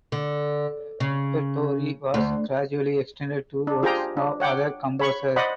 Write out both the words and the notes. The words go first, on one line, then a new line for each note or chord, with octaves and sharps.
The repertoire was gradually extended to works of other composers.
D3
C#3
D2
D4
F4 G4 G#4 C5 G5 A#5
D4
C#5 F#5 G5 D6
C#5 B5 C#6
C5 D5 D#5 F#5 B5